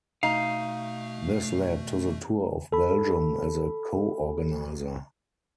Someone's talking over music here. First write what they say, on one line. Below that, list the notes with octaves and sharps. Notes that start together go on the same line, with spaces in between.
This led to the Tour of Belgium as a co-organiser.
B2 A3 D#4 F5
A4 B5